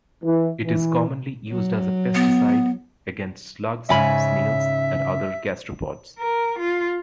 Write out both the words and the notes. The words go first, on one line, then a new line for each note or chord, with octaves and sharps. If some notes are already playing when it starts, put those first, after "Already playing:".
It is commonly used as a pesticide against slugs, snails, and other gastropods.
E3
E3
F#3
B3
G#2 C#3 C#4 E5 G#5 B5
A#4
F4